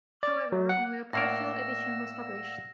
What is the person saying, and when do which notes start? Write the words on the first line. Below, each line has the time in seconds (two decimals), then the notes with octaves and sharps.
However, only a partial edition was published.
0.23 D5
0.52 F#3
0.69 F#5
1.13 A2 A#3 A#4 D5 F5 F#5 E6 A#6